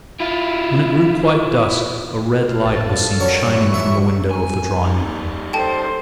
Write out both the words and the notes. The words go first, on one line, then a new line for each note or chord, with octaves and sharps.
When it grew quite dusk a red light was seen shining from the window of the drawing-room.
E4 F4
F5
A1 A4
G2 F3 D4 F4
F#3 A#4 C#5 D5
E3 C#6
E5
G#5
G3 D#4
A4 C5 G5 A5